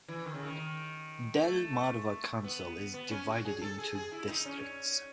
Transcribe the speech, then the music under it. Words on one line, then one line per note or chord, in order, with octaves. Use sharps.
Del-Mar-Va Council is divided into districts.
E3
D#3
C#3
D#3
A3
B3
B3
C#4
F#4
G#4
A4
G#4
G#4
E4
D#4
C#4